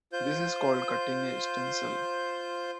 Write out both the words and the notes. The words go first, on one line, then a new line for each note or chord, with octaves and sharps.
This is called cutting a stencil.
F4 C5 G6